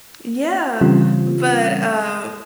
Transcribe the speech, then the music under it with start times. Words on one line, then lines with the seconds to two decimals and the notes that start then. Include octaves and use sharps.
Yeah, but, uh,
0.81 C#3 E3 G3 C4 C#4 F4